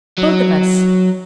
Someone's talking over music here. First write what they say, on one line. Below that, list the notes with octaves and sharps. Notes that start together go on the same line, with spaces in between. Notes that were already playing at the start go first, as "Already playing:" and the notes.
'Both of us.
F#3